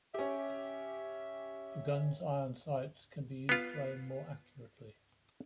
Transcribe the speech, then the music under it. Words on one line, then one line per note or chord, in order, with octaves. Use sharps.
A gun's iron sights can be used to aim more accurately.
C#4 G4 E5
B3 F4